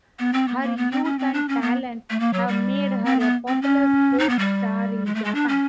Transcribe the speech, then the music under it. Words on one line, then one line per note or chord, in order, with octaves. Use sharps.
Her youth and talent have made her a popular sports star in Japan.
B3
C4
B3
A#3
B3
C4
C#4
C4
D4
C#4
B3
A3
A#3
F#3
G3
C4
B3
C4
C#4
D#4
B3
G3
G#3
A3
G#3
D4
C#4